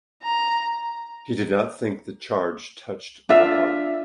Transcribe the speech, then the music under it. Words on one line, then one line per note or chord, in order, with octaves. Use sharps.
He did not think the charge touched the heart.
A#5
D4 F4 E5